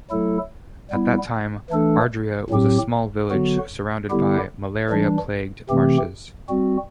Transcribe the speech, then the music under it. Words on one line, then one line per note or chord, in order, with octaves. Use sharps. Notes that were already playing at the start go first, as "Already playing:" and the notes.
At that time Adria was a small village surrounded by malaria-plagued marshes.
F#3 A3 E4 A4
G3 B3 E4
E3 A3 D4 A4
A2 F#3 C4 G4
D3 F#3 B3 F#4
D3 G3 B3 E4 G4
E3 G3 D4
C3 E3 A3 C4 G4
G3 C4 F#4